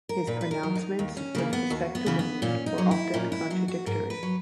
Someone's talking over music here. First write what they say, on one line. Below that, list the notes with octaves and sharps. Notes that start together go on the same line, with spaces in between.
His pronouncements with respect to women were often contradictory.
A#4
A#2 B4
B4
A#4
F#3
D#4
D#2
C#4
C#3 E3 A#3
B3
D#2 F#4
B3
C#3 E3
B3
A#2 C#4
D#4
F#3
E4
A#2 C#4
E4
F#3 F#4
F#4
G#2 A#4
B4
F#3